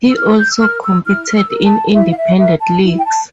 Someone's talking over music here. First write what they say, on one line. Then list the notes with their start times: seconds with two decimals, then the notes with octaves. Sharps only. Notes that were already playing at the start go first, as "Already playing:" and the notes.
He also competed in independent leagues.
0.09 E6
0.16 E4 F6
0.39 G6
0.52 E6
0.60 A#4 F6
0.83 E6
1.05 E4 F6
1.28 F6
1.34 E6
1.49 A#4
1.64 A5
1.93 E4 E5
2.11 F5
2.16 E5
2.38 A#4 E5
2.60 A5
2.82 E4
2.98 G5
3.04 A5